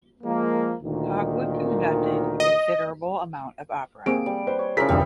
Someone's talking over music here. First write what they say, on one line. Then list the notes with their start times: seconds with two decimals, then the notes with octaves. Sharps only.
Hogwood conducted a considerable amount of opera.
0.23 F3 G#3 A#3
0.83 D2 A#2 D#3
2.40 D#5
4.06 A#3 C4 G#4 D7
4.26 G3
4.47 B4 C5
4.59 C#5
4.77 C#3 F3 E4 G#4 A#4 B6
4.89 F1 D2 G3 B3 C4